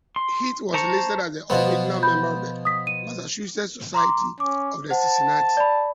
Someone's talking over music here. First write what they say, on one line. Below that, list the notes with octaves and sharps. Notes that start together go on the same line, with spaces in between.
Heath was listed as an original member of the Massachusetts Society of the Cincinnati.
C6
C5 A5 A#5 C#6
B2 F3 B3
B5 G6
D#6 B6
D#7
A#5 C6 D6
C#4 D6
C5 F#5 A5
D5 B5